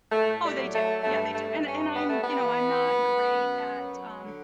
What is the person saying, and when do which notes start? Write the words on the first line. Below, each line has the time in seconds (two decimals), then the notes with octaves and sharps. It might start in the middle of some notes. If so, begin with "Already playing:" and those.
Oh, they do, yeah, they do, and and I'm, you know, I'm not great at, um
0.12 A2 A3
0.42 G3
0.57 F#3
0.73 A3
1.03 G2 A3
1.34 A3
1.49 G2
1.65 C#4
1.95 G3 B3
2.08 A3
2.22 B3
2.41 E3
2.87 F#2
3.33 F#2
3.79 F#3
4.25 D3